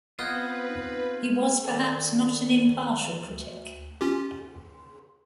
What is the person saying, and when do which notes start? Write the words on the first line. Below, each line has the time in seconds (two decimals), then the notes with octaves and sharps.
He was perhaps not an impartial critic.
0.19 B3 C4 F4 B4 D#5 F6 G6 G#6
1.64 D#3 A4 D5
3.24 D2
4.01 C#4 F4 G4